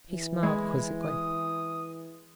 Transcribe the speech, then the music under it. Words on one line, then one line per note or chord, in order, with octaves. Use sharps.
He smiled quizzically.
E3
G#3 E4
D#6